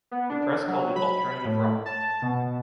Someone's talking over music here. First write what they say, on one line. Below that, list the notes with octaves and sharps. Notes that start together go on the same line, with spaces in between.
The press called it “Alternative rock”.
B3
D4
F#3
B5
A2
A5
B2